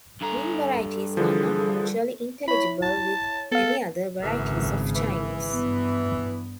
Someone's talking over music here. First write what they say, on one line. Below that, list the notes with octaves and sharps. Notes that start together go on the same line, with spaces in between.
Min varieties are not mutually intelligible with any other varieties of Chinese.
G2 A4 A#5
D3 E3 F3 G#4
E4 C#5 B5
A5
B3 A4 F5
G#1 F#2 A2 C#3 E3
E3
G2 B3